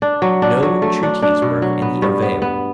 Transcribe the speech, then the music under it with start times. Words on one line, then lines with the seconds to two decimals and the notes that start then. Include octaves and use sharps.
No entreaties were of any avail.
0.02 D4
0.22 F#3
0.42 D4
0.63 F#3
0.82 A3
1.03 D4
1.22 D4
1.42 B2
1.62 F#3
1.82 B3
2.02 G2
2.22 B3
2.42 B3